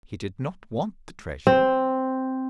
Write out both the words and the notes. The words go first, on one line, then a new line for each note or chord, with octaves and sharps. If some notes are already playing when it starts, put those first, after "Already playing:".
He did not want the treasure.
C4